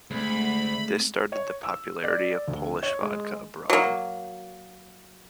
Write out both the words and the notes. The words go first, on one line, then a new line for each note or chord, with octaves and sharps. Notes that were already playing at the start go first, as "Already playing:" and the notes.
This started the popularity of Polish vodka abroad.
D2 G#3 A3 C4 B5
C#5
E6
D5
D2
C#5
G#3
F#3 A#3